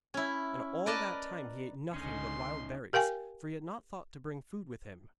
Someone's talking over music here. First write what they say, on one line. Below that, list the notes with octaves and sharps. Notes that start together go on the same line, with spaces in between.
And all that time he ate nothing but wild berries, for he had not thought to bring food with him.
C#4 E4
A#4 B4 D5 D#5 A5
C#2 D3 C#4 D#4 D#5 G#5 C6
G4 A#4 F5 G5 G#5